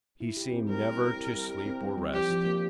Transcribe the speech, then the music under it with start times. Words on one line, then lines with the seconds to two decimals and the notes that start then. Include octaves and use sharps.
He seemed never to sleep or rest.
0.20 E4
0.37 G4
0.53 C4
0.69 G3 A#4
0.85 E4
1.01 G4
1.17 E4
1.33 G3
1.49 G4
1.66 C4
1.82 G3
1.98 G3
2.13 F3 G4
2.30 F3
2.46 A#3